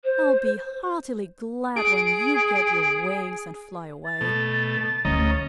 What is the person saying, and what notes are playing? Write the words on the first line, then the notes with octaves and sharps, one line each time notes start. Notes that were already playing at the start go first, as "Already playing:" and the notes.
I'll be heartily glad when you get your wings and fly away.
C5
G#4 D7
A6
B2 A3
D2 C#4 D#5 A#5